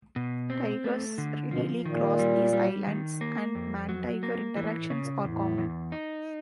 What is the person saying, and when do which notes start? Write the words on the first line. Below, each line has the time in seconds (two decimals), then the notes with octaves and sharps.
Tigers readily cross these islands and man-tiger interactions are common.
0.16 B2
0.50 C4
0.84 A3
1.18 D3
1.51 B2 F3
1.85 A#2 D#3
2.19 G3
2.53 G3
2.87 D#3
3.21 A#3
3.55 F2
3.89 F#3
4.23 A#3
4.57 A2 E3
4.79 A2
4.90 C#3
5.01 A#2
5.19 A#2
5.24 E2 A2
5.58 E2
5.92 D#4